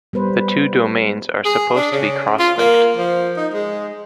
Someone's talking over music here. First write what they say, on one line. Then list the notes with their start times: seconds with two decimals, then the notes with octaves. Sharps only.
The two domains are supposed to be cross-linked.
0.13 G3 B3 B4 C5
1.45 G#4
1.76 D4
1.92 C#3
2.39 F4
2.58 A#3
2.97 F3
3.37 D#4
3.53 G#3